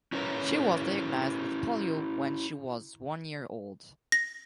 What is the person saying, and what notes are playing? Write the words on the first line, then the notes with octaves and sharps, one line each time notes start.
She was diagnosed with polio when she was one year old.
C#4 E4 A#4 B4 C#5 A#5
A#6